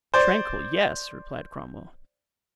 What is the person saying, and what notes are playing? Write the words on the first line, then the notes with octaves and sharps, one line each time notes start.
"Tranquil, yes," replied Cromwell.
C5 D5